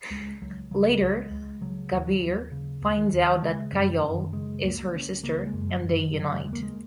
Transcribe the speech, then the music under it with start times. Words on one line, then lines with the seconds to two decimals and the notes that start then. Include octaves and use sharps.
Later Kabir finds out that Kajol is her sister and they unite.
0.10 C#2 G#3
0.42 C#2 F#3
0.71 C#3 F#3
1.02 C#2
1.16 G#3
1.31 C#2
1.61 C#3 F#3
1.92 D#2
2.07 F#3
2.22 D#2
2.52 C#3
2.82 D#2
2.98 D#3
3.13 D#2
3.42 C#3 G#3
3.72 F#2 F#3
4.03 F#2 D#3
4.33 C#3 G#3
4.63 C#2 A#3
4.93 C#2 C#4
5.23 C#3 A#3
5.47 G#3
5.54 F#2
5.69 F#3
5.84 F#2
5.92 D#3
6.13 C#3 F#3
6.44 D#2 G#3
6.53 A#3
6.63 G#3